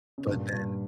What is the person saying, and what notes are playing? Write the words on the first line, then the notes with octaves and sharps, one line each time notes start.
But then,
C#3
G2 A#2
G2 A#2